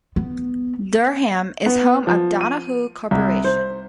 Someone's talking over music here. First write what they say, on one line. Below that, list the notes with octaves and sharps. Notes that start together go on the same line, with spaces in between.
Durham is home of Donahue Corporation.
B3
B3
F3
D#7
C2
C5